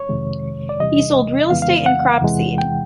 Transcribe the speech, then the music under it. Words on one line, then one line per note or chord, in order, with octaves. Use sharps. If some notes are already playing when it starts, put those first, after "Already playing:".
He sold real estate and crop seed.
Already playing: C#5
F2 C3 D#3 G#3
D5
E2 C3 E3 G3 D#5
F2 C#3 E3 G#3 B3 F5
F5
F#5
E2 C3 E3 G#3
G5